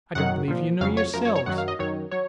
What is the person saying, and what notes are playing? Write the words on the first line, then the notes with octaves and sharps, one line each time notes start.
I don't believe you know yourselves.
F#2 D#3 F#3 F#5
A#2 F3
F2 C#3 F#3 F5
C#5
F#2 F3 A#4
C#5
C#5
F#2 D#3 F#3 F#5
F5
D#5
F#2 D#3 F#3 C#5
F#3 C#5